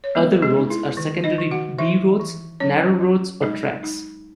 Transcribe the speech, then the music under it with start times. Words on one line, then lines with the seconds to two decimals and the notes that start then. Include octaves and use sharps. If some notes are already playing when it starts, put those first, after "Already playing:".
Other roads are secondary B roads, narrow roads or tracks.
0.04 C#5
0.15 G#3 B3 B4
0.42 G#3 G#4
0.57 D#4
0.70 E4
0.97 D#3
1.24 D#4 D#5
1.38 D#3
1.51 F#4 F#5
1.78 E3 E4 E5
2.20 E3
2.60 F#3 C#4 C#5
3.01 F#3
3.42 G#3 D#4
3.83 D#4